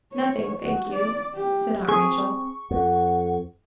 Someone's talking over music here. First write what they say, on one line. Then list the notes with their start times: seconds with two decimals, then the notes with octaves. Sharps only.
"Nothing, thank you," said Aunt Rachel.
0.13 C#5
0.63 F#4
0.93 D5
1.35 G4
1.89 C4 G#4 C#6
2.71 F2 F#5